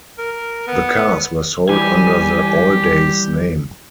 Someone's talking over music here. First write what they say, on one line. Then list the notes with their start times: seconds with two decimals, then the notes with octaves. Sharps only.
The cars were sold under the Alldays name.
0.18 A#4
0.67 B3
1.69 E3 G3 G4 G#5